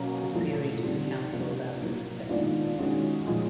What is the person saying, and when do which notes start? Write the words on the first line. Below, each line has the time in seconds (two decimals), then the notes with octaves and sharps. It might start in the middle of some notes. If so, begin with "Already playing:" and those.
The series was canceled after the second season.
Already playing: B2 F#3 A#3 C#4
0.35 A2 F3 A3
0.83 D3 G3 C4 D#4
1.32 C3 F3 A#3 D4
1.81 A2 F#3 A#3
2.29 D#3 G#3 B3 D4 F4
2.79 D#3 G#3 C#4 F#4
3.27 A#2 F3 G#3